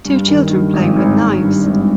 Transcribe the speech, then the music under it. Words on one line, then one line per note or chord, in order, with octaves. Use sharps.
Two children playing with knives.
G2
D#3
G2
G#1
G#1
G#1
G2
G#1